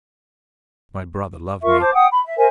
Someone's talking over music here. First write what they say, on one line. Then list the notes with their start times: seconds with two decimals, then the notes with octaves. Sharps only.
My brother loved me.
1.62 F4 A#4 E5 C#6
1.79 C5 A5 D6
1.93 F#5 G5 D#6
2.11 B5
2.24 E5
2.36 A#4 C5 E5 G#5